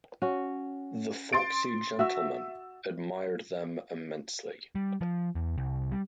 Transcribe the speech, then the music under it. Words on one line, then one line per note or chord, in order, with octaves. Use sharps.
The foxy gentleman admired them immensely.
C#4 F#4
C6 A6 D7
F#4 E5 E6
G3
F3
E2
C2
G3